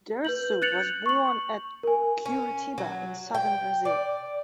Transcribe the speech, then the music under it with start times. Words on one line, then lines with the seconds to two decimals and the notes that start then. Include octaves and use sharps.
Dirceu was born at Curitiba, in southern Brazil.
0.25 B4 G6 F#7
0.62 F#6 G6 A6 C#7 F7 F#7
1.06 C#6 F#7
1.83 A#4 G#5
2.26 C#4
2.78 F#3
3.34 G5
3.85 D5